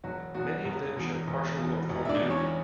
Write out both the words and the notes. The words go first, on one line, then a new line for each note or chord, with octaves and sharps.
Many of them show partial or full nudity.
E1 F#3 F#4
E2 B2 F#3 F#4
E1
E2 B2
E1
E2 B2
E1
E5
D4 D5
E2 B2
C#4 C#5